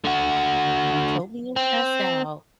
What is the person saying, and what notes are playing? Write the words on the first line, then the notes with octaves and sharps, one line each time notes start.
you told me you're stressed out,
D3 F#4
C4